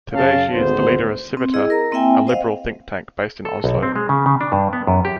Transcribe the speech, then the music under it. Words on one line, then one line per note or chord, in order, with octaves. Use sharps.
Today she is the leader of Civita, a liberal think tank based in Oslo.
F#2 C#3 C#4 F5 A5
G#1 D2 B3 C5
C4
E4 G#4 D#5
A#4 A#5
A#3 C4 E4 E5 G5 G#5
C5 D#5 F5 F#5
A4
B1
C4
G#3
C#3
C#3
D4
G2
B3
F#2
G4